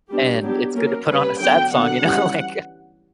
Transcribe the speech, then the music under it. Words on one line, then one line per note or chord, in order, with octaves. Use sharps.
And it's good to put on a sad song, you know? Like
G3 B3 D4 G4
F#3 B3 D4 G4
F#3 A#3 C#4 A#4
G3 C#4 B4
D3 F#3 B3 G5
D3 F#3 B3 F#5
E3 G3 C#4